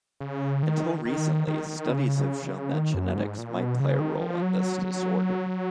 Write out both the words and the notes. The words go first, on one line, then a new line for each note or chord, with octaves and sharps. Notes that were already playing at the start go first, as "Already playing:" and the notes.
Until recently, studies have shown that genetics might play a role in this disorder.
C#3
D#3
D#3
D#3
C#3
D#3
F#2
G#2
A#2
B2
C#3
D#3
F3
F#3